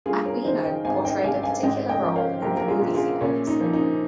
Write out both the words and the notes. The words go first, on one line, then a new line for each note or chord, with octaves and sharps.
Aquino portrayed a particular role in the movie sequence.
G2 F4 G#4
A#4 C#5
D#3 C5 D#5
D#5 G5
G#1 F5 G#5
D#5 G5
G#1 F5 G#5
F5 G#5
G#2 D#5 G5
D#5 G5
F3
C#5 F5
A#1 G4 A#4
A#4
F4 G#4
A#1
F4 G#4
A#2 C#4
D#4
F3
D#4